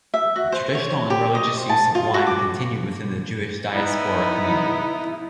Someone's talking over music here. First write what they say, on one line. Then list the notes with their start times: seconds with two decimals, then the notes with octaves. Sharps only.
The traditional and religious use of wine continued within the Jewish diaspora community.
0.14 E5
0.36 F#4
0.52 C5
0.75 C#5
1.10 G4
1.35 D#5
1.57 C5
1.69 A5
1.95 F4
2.14 F#4
2.27 D6
3.74 B3 D#4 E4